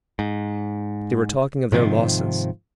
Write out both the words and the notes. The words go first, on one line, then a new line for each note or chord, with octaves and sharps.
They were talking of their losses.
G#2
G#2 C3 D#3 F3